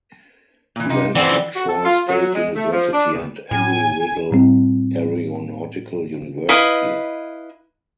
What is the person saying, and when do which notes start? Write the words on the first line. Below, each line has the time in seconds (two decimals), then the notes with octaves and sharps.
He went to Troy State University and Embry–Riddle Aeronautical University.
0.76 A#2 E3
0.89 C3 D#4 F4
1.16 E3 C4 D5 F#5 G5
1.55 F#4
1.68 A4
1.85 F4
2.08 F#3
2.34 G#3
2.54 A3
2.72 F3
2.93 D4
3.13 E2
3.51 A2 G#5
4.31 A2 G3 C4 E4
6.49 E4 B4 D#5 F5